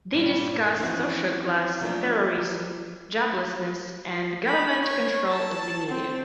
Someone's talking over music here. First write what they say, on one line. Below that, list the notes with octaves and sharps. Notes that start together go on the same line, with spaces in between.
They discuss social class, terrorism, joblessness, and government control of the media.
G2 A#2 D#3 G3
E3 F3 C4 C#4 F#4
F3 F#3 A3 A#3 D4 F4
B5
C#5
A5
C4